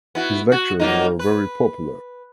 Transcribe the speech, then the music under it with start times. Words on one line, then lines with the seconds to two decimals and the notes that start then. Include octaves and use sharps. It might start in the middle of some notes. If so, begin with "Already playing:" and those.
His lectures were very popular.
0.15 B3 E4 F#4
0.52 F#4
0.80 F#3 A#3 D#4
1.19 B4